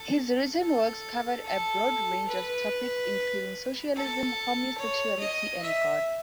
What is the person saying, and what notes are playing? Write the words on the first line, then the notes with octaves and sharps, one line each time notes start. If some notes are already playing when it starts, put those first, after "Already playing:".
His written works covered a broad range of topics, including socialism, homosexuality, and God.
Already playing: A4
A4
A4
B4
A4
C#5
D#5
E5